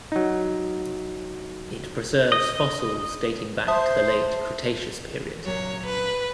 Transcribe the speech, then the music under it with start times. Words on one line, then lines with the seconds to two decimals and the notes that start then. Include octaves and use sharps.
It preserves fossils dating back to the late Cretaceous period.
0.12 F#3 D#4
2.32 D#5
3.68 C5 E5 A5 D#6
5.45 A#2 C#3 F#3 C#5
5.86 B4